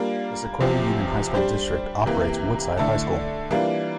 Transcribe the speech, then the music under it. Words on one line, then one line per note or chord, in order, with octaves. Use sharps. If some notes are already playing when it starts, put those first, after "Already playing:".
The Sequoia Union High School District operates Woodside High School.
Already playing: G3 A#3 D4 F4
E2 C3 F3 C4
G3 D4 G4 C5
C3 E3 A#3
D3 A3 E4 A4
E3 G3 A#3 D4 F4